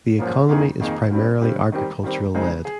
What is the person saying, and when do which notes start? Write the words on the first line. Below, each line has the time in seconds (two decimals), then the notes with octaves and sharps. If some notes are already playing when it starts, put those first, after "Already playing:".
The economy is primarily agricultural lead.
0.19 G#2 F3 A#3 C#4
0.49 F2 D#3 A#3 D#4 G#4
0.80 F2 D#3 A#3 D#4 G#4
1.11 G2 G3 C4
1.41 G2 G3 C4
1.72 D#3 G3 C4 G4
2.03 D#3 G3 C4 G4
2.34 C#3 G#3 C4 D#4 G#4
2.65 G#4